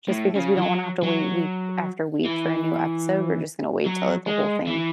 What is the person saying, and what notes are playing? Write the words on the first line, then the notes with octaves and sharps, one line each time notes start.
just because we don't wanna have to wait week after week for a new episode, we're just going to wait till the whole thing
A2
C#3
E3
F#3
F#3
E3
F#3
G#3
E3